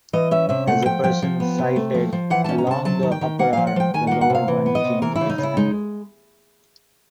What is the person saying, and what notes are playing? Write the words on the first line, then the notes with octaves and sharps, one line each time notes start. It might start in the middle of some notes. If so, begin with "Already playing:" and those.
As a person sighted along the upper arm, the lower one changed its angle.
E3 D#5
C#4 E5
C3 E5
A3 F#5
F3 G5
F3 G5
F3
B3
C3
A3
F3
F3
E3 F#5
C#4 A5
A#5
C3 A5
F#3 A5
D#3
G5
D#3
A#3 F#5
F3 F5
F#5
F3 G5
D#3 G#5
A#3 F#5
F#5
C3 F5
E3
B3
D#5
C3
E3 A#4
E4
C#3
D#4
C#3
E4
G#3 D#4